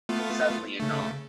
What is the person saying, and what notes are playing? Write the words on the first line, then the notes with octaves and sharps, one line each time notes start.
Suddenly, a knock.
A3 B3 F4
C#3 A3